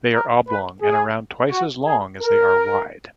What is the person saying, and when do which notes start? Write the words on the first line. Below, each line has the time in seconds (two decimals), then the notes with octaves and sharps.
They are oblong and around twice as long as they are wide.
0.14 A#4
0.48 B4
0.82 G#4
1.52 F#4
1.87 G#4
2.21 A#4